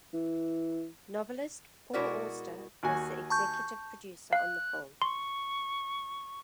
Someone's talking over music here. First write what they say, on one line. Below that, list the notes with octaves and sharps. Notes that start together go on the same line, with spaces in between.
Novelist Paul Auster was the Executive Producer on the film.
E3
B2 G#3 E4 F#4 A#4 D5
D#2 F#4 G#5
A5 C#6 G6
F5 F#6
C6 C#6